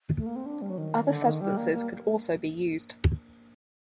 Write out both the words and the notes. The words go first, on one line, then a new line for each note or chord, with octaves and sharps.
Other substances could also be used.
A3
A#3
C4
D4
G3
F#3
D#3
D3
D#3
G3
A#3
A#3